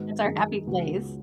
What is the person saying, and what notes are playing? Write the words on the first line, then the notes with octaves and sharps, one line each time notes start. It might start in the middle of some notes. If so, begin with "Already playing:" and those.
that's our happy place.
Already playing: G#2 D#3 B3 F#4 B4
F#2 D#3 G#3 D#4 G#4
C#2 C#3 B3 F#4